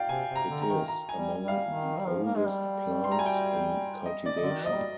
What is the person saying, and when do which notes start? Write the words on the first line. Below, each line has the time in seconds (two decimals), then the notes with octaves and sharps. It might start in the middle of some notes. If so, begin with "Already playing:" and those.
It is among the oldest plants in cultivation.
Already playing: D5 F5 G5
0.09 C3 G#5
0.29 C3
0.35 A#5
0.49 D3
0.62 A#5
0.68 D#3
0.88 A#5
1.09 G#5
1.14 G3
1.42 G3
1.48 F5
1.68 D#3
1.98 G3
2.07 F3
2.24 A#3
2.36 G#3
2.47 G3
3.04 C6
3.12 A#5
3.19 G#5
3.26 G5
4.06 D#5
4.26 D5
4.37 D#5
4.42 D3 D5
4.52 D#3
4.63 F3 D#5
4.74 G3